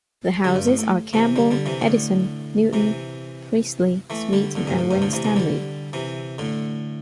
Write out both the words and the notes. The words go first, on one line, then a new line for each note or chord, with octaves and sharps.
The houses are Campbell, Edison, Newton, Priestley, Smeaton and Winstanley.
D3 G3
G2
A2
A2
C3 E3
D3 G3
D3 G3
C3 E3
A2 D3
C3 E3
E3 A3
D3 G3
A2 D3
G2 C3
A2
G2 C3
A2 D3
C3 E3
C3 E3
D3 G3
C3 E3
A2 D3